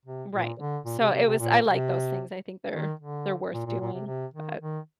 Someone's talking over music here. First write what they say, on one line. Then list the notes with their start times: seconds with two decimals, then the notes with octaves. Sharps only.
Right. So, it was I like those things. I think they're they're worth doing. But
0.05 C3
0.33 A#2
0.59 D3
0.86 A#2
0.99 C3
1.13 C3
1.26 C3
1.39 A#2
1.66 C3
2.74 D#3
3.00 D3
3.54 A#2
3.66 A#2
3.81 A#2
3.94 C3
4.07 C3
4.34 D#3
4.60 D#3